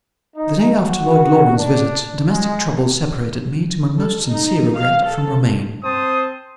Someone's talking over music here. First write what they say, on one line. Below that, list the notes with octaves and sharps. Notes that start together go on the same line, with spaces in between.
The day after Lord Loring's visit, domestic troubles separated me, to my most sincere regret, from Romayne.
D#4
F#4
D4
G#3
A4
D#4
F5
A4
C4 C5 A5 D#6